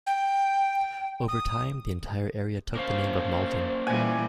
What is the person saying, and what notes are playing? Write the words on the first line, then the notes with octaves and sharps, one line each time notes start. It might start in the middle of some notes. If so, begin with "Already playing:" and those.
Over time, the entire area took the name of Mauldin.
G5
D#6
A#3 C#4 C5 F5
A#2 E3 G3 G#5